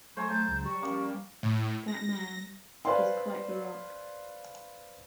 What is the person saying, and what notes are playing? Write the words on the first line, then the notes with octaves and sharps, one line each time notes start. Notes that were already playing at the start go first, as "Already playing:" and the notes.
That man, is quite baroque...
F#3 A3 C5 G#5 A#5 C#6
A3 A5 G6
C#2
G3 C#6
F3 A#3 C#4
A2
A#6
B4 C5 D5 F5 G#5 C6